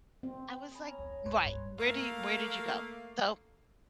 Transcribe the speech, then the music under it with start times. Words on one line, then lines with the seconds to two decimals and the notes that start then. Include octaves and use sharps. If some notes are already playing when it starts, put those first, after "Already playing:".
I was like Right, where did yo where did you go? So,
0.23 C4
0.72 D#5 G#5 B5
0.86 C#4 A#5
0.99 E2
1.25 G2 B4 C#5 C6
1.45 G2
1.78 A3 A#3